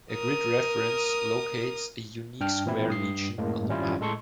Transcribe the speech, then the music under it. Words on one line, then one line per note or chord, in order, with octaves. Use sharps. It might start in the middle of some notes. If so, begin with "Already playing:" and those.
A grid reference locates a unique square region on the map.
A#4 D#6
G2 D4 G5 F6
A#2 E3 C4 E4
G2 D#6 C7
F#2 A2 G#3 A#3
G#1 G3 C#4 E4 F4
A2 G#3 A4 C6 C#6